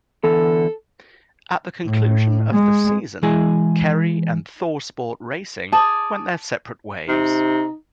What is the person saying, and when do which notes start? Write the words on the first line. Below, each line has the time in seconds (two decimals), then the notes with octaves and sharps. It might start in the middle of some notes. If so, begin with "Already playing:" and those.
At the conclusion of the season, Kerry and ThorSport Racing went their separate ways.
0.24 D3 E3 B3 A4
1.86 A2
2.51 G#3
3.23 E3 G#3 E4 G#4 D#5
5.72 G#4 D5 A5
7.08 C3 D#4